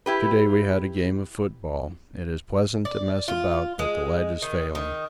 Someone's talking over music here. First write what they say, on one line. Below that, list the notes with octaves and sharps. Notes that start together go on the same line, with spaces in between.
Yesterday we had a game of football; it is pleasant to mess about, but the light is failing.
E4 G4 B4
D5
F4
G#3
D#3
D#3